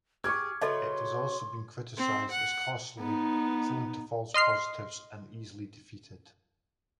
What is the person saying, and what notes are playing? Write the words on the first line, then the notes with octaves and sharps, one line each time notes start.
It has also been criticized as costly, prone to false positives, and easily defeated.
G4 G#4 C#6 D6 F6 G#6
C#3 F#3 A4 B4 D#5 E5 C6
C4
F#5
B3 D#4
D#5 C6 F6 C7